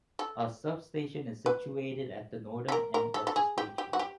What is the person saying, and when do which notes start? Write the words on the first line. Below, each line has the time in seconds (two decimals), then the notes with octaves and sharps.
A substation is situated at the northern end of the station.
0.19 A4
1.46 B4
2.68 A4
2.72 A#4
2.94 A#4
3.14 A4
3.27 A4
3.36 G#4
3.58 G4
3.78 G4
3.93 F#4
3.99 G4